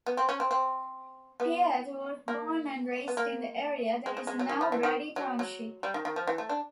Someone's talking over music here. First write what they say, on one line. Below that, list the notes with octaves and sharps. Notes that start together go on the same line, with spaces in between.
Piatt was born and raised in the area that is now Brady Township.
B3
C4
C#4
C4
C4
B3
A#3
B3
A#3
G#3
G#3
G#3
F#3
D#3
F3
E3
D#3
F#3
F#3
G3
D#3
D#3
F3
E3
A3
D4